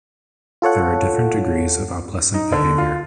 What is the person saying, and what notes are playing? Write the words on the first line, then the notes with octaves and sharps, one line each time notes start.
There are different degrees of opalescent behaviour.
F4 A4 C#5 F#5
D#4
D3
F4